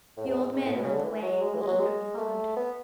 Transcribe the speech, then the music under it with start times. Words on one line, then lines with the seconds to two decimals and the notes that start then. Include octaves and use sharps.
The old man led the way, and we eagerly followed.
0.17 A2
0.26 E2
0.40 G#2
0.53 G#2
0.65 A2
0.75 B2
0.84 C#3
0.94 D3
1.04 E3
1.22 F#3
1.42 G#3
1.55 E3
1.62 G#3
1.67 F#3
1.80 G#3
2.18 A3
2.57 B3